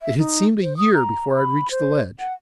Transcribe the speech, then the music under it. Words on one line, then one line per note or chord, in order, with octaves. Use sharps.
It seemed a year before I reached the ledge.
E5
D#4
C5
D#6
A#5
B5
C5
F#5